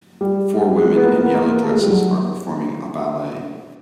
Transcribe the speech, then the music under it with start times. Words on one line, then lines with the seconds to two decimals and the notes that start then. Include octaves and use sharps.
Four women in yellow dresses are performing a ballet.
0.21 G3
0.77 G#3
0.97 B3
1.05 A#3
1.19 B3
1.34 A#3
1.62 A3
1.71 G#3
1.81 G3
1.90 F#3